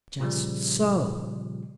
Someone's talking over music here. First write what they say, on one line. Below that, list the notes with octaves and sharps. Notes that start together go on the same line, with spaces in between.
"Just so."
A#2 C#3 F3 G3